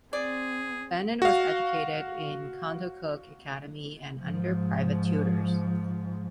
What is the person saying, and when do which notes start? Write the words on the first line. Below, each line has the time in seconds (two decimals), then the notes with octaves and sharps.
Bennett was educated in Contoocook Academy and under private tutors.
0.13 C4 G#4 D5
1.22 F#4 F5
4.22 G#2 F3